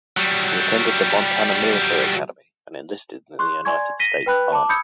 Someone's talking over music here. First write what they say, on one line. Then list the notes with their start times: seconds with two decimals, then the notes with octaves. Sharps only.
He attended the Montana Military Academy and enlisted in the United States Army.
0.17 F#3 G3
3.39 C6 C#6 F#6
3.65 D5 G#5 C6 C#6 G#6
4.00 A#6 B6 D#7 G7
4.26 B4 G5 B5 F#6
4.52 A5 D6
4.69 B5 D#6 E6 G6 G#6 C#7